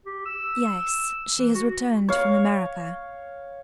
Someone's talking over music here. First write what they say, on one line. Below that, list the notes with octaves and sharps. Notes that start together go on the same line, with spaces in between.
"Yes; she has returned from America."
G4
E6
E3
F#4
C#5 F5